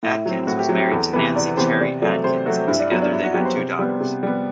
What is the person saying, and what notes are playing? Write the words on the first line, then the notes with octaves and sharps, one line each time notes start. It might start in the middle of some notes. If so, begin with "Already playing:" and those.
Adkins was married to Nanci Cherry Adkins and together they had two daughters.
A2 E4
F#3 C4
A2 F#4
G4
F#3 C4 E4
G4
E2 A4
C3 E3 B3 B4
E2 D5
C3 E3 B3 C5
C3 D5
F#3 A3 C4 D5
C3 C5
F#3 A3 C4 F#4
G2 E4
D4
F#3 B3 E4
D4
G2 E4
F#4
F#3 B3 G4
C5
C3
G3 B3
C3
G3 B3